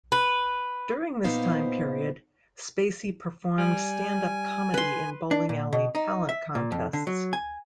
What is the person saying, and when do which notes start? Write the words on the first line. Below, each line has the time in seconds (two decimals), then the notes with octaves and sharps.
During this time period, Spacey performed stand-up comedy in bowling alley talent contests.
0.12 B4
1.24 A#2 B3 D#4 C5 F5
3.58 G3 G#5
4.74 B4 C6
5.31 D4
5.49 A#2
5.73 B2
5.95 D#4
6.29 E5
6.55 A#2
6.72 F2
6.93 D3
7.07 F#3
7.33 G#5